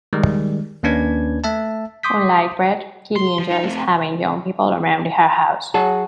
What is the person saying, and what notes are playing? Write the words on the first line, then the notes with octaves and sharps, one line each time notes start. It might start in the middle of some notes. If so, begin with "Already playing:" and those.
Unlike Red, Kitty enjoys having young people around her house.
D#3 G3 G#3
D#2 A#3 C#4 D4 B4 G#6
A3 E5 A5
C6 D6 D#6 G6 B6
C6
F3
D#4
A3 C4
F#3 F#4 G#4 G#5 A5